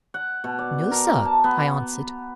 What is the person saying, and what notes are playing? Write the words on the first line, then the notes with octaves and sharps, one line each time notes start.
"No, sir," I answered.
F#5
B2
D5
A#4
A5
B3